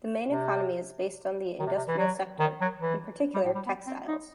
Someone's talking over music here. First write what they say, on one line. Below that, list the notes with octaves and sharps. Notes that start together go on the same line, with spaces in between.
The main economy is based on the industrial sector, in particular textiles.
C3
D#3
C3
C3
E3
F#3
D#3
F#3
E3
G3
A2
G3
B3
C4
D#4